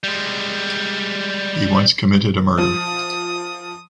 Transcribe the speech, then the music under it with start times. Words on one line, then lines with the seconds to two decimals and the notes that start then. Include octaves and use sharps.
He once committed a murder.
0.04 G3 G#3
2.58 F3 D#6